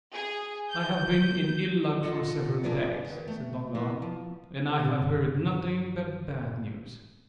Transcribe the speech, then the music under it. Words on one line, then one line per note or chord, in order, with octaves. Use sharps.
"I have been in ill-luck for several days," said Danglars, "and I have heard nothing but bad news."
G#4
G6
F4 A4 D#5 F#5
D4 F4 G#4 A#4 B4 D5
D#3 B3
A3
A#3 B3 E4
F3
C3
G2